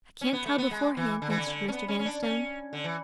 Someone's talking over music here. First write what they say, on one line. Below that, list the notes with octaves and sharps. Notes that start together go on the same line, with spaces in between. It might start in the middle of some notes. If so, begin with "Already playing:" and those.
"I can't tell beforehand," answered Mr. Vanstone.
C#4
B3
A3
B3
G#3
E3
D3
E3
D3
D3
C#4
B3
C#4
C#4
D4
C#4
D3
E3